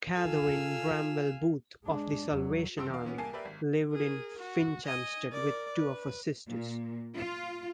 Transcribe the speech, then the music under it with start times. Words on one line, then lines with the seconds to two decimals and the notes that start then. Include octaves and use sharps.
Catherine Bramwell-Booth, of the Salvation Army, lived in Finchampstead with two of her sisters.
0.15 F4 A4 F5 G#5 A5 E6
1.85 G#3 D4
2.27 E2 F#3
2.77 C#2 G2 C4 C6 E6 D7
2.90 E2 F5
3.05 E3 B3 C#4
3.18 C2 A#3 A#4 G#5 A5 C7
3.33 G4 A#4 B4 D5 E5
3.45 G#1
3.91 G#4 A#4
4.39 F#4
4.85 D#5 G#5
5.30 A#4 D5
5.76 B4
6.49 A#2
7.15 F4